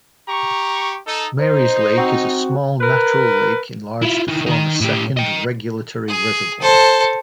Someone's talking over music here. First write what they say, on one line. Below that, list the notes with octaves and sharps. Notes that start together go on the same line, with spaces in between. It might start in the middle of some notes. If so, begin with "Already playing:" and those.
Marys Lake is a small natural lake enlarged to form a second regulatory reservoir.
G4 A#5 C#6
D#4 A4
D#4 C5
C4 F#4
A#4 B4
E4 F4
D#3 E3
D#3 D#4
A2 G4
D#5 G5
G#4
A4 C5